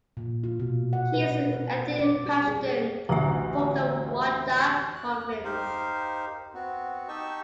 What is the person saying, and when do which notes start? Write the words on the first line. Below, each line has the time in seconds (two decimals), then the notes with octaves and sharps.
He is an ethnic Pashtun from the Wardak province.
0.17 A#2
0.44 F4
0.60 B2
0.93 F#5
1.14 B4
1.53 A#4
1.99 D5
2.26 G4
2.48 G#4
3.09 A1 D2 E5 A#5
4.95 F#6
5.44 D#4 G4 A#4 C5 F5
6.54 B3 C4 F#4
7.08 D#4 G4 D#5 A5 C#6 E6